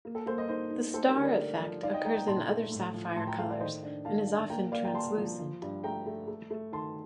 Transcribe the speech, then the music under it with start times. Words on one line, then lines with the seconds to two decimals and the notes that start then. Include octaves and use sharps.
The star effect occurs in other sapphire colours and is often translucent.
0.05 A#3
0.15 A4
0.26 A#3 A4 C5
0.38 C5 D#5
0.48 D#4 C5 D#5
0.71 D#4
0.94 A3 A4 C5
1.08 G4 A#4
1.16 D3
1.23 A#4 D5
1.37 A3
1.60 F3
1.83 D#4 D5 F5
1.93 D#5 G5
2.04 A3 G5 A#5
2.15 G5 A#5
2.27 A#2 A5 C6
2.50 A3
2.72 A2
2.94 F3
3.16 A2 A5 C6
3.27 G5 A#5
3.38 A3 F5 A5
3.50 D5 F5
3.60 D#3 C5 D#5
3.83 D4
4.05 D#3 F5 A5
4.27 D4
4.50 A#3 G5 A#5
4.72 A#3 D5 F5
4.84 G5 A#5
4.94 A#3 A5 C6
5.17 F3
5.39 F3
5.62 G2
5.84 A3 G5 A#5
6.06 A3
6.28 A3
6.50 A3
6.72 D#3 A5 C6